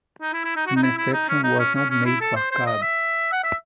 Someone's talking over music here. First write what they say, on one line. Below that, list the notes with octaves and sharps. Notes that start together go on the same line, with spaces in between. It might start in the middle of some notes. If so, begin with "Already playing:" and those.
An exception was not made for Cobb.
D#4
E4
E4
D#4
F#4
D#4
E4
E4
D#4
C#4
D#4
C#4
C#4
C#4
E4
A4
C5
C5
D#5
E5
F#5
E5